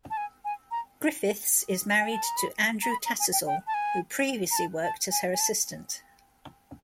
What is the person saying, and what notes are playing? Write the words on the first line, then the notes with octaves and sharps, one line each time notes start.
Griffiths is married to Andrew Tattersall, who previously worked as her assistant.
A5
G#5
G#5
A#5
G#5
A5
A#5
B5
A#5
B5
A#5
G#5
G5
G5
A5
G#5
A#5
A5
A5
G#5
G#5
A5